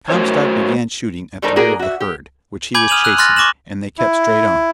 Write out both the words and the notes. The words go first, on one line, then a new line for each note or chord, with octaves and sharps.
Comstock began shooting at the rear of the herd, which he was chasing, and they kept straight on.
A3 F#4 A#4 C5 C#5
E3 G3 A3 D#4 A#4 C5
A#3 F#4 G#4 A#4
F#4 E5
G4
G#5 B5 D6 G6 G#6 F#7
D#6 F6 D#7 F7 F#7
E6 F#6
C6 F6 F#6 A6 A#6
C#6 D6 A#6 E7 F#7
E4